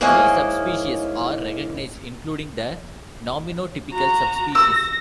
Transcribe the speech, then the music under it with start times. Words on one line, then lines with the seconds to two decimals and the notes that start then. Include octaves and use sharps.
Three subspecies are recognized, including the nominotypical subspecies.
0.01 G#2 A#3 E4 C#5 D#5 G#5
3.92 F#4 A#5
4.55 E6 A#6